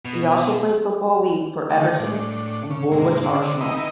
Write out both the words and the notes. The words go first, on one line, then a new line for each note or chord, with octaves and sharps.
He also played Football League for Everton and Woolwich Arsenal.
B2
D3 D#3 A3
A2 D4
C#3
G#2 C3 A#3
D3 C4 D4
D#4 E4 A#4 B4 D#5